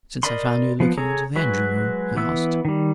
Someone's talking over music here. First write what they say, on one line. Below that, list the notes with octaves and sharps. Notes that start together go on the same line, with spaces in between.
"Since I found you looking into the engine-room?" I asked.
A#4 D5 D#5 B5 C6
F3 B3
G#4 A4 C#5 A#5
F#3 G#3 F#4 B4
E3 B3 E6
D#3 G3